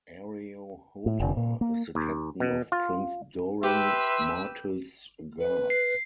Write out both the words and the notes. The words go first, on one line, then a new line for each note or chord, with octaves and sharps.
Areo Hotah is the captain of Prince Doran Martell's guards.
A2
F1 D3
A#2
A#3
D#2
B2
F4
G4 B4 E5 C6 E6
B4
C7